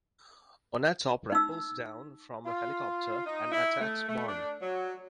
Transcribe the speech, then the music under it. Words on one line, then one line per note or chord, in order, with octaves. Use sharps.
Onatopp rappels down from a helicopter and attacks Bond.
D#4 E6
F4
D#4
E4
A3
A3
D4
F#3